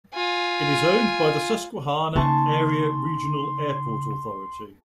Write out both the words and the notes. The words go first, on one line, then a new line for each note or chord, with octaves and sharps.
It is owned by the Susquehanna Area Regional Airport Authority.
F4 G#5
C#3 A#3 D#4 G#5 A5 C6 C#6